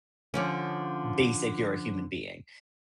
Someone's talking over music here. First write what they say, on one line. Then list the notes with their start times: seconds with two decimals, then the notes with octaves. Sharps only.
basic you're a human being,
0.34 D3 F3 C#4